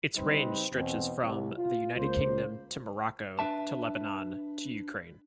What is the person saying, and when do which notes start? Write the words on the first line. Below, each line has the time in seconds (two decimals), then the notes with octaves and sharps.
Its range stretches from the United Kingdom to Morocco to Lebanon to Ukraine.
0.16 C#3 G3 C4 D#4 B4 C5
0.72 E2 B2 C4
1.22 C2
1.57 F4
1.95 C#2 A#3 C5
3.39 D4 B4 E5 A5